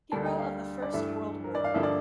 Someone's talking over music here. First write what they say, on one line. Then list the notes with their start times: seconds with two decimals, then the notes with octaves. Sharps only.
Hero of the First World War.
0.12 D2 D3 G3 A#3 A5
0.26 G5
0.39 F5
0.82 D5
0.93 G2 E3 A3 E5
1.44 A#4
1.55 D5
1.64 F5
1.74 G2 D3 F3 A#3 E5
1.83 D5